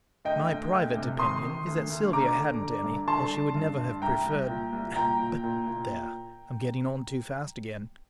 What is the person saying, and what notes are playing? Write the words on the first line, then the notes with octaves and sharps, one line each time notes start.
My private opinion is that Sylvia hadn't any, or she would never have preferred--but there, I'm getting on too fast again.
D2 D#5 G5
D2
D2
C3
D#3 C6 D#6
D#3
D2
D2
D3 A#5 D6
D3
D3
G2
D3 A5 C6
D3
G2
G2
C2 G5 A#5
C2
A#2
C2
A#2 G5 A#5
A#2
A#2
A#2